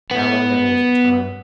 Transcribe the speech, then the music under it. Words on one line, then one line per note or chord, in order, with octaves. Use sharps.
Now or never was the time.
B3